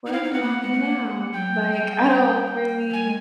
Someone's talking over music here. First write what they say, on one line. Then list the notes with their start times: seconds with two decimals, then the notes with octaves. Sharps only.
"What do I do now? Like, I don't really"
0.06 D#4
0.12 E4 F5
0.23 D#4
0.33 C4 F#5
0.42 A#3
0.62 G#3
0.73 A3
0.84 A#3
1.33 F#3 G5
1.74 G3
2.90 F#3
2.93 G3 G#5
3.04 G#3